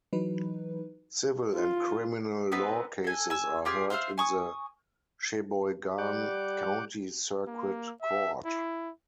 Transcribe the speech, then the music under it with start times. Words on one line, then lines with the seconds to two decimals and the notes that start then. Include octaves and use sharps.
Civil and criminal law cases are heard in the Sheboygan County Circuit Court.
0.13 E3 F#3 D#4 B4
1.55 F4
2.52 B3 C4 D#4 B4
3.04 A4 G#5
3.30 G#5 E6
3.65 F4 G4 G#4 F6
3.90 F4 C5 E5 F6
4.18 G#5 C#6 D#6
5.98 G3 G4 F#5 D6
7.47 A#3
8.02 E5
8.45 E4